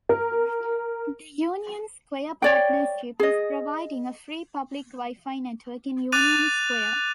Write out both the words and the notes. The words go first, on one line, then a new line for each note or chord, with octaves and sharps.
The Union Square Partnership is providing a free public Wi-Fi network in Union Square.
A#4
C#5 D5 G5
G#4 D#5
D6 F#6 A6 D#7 F7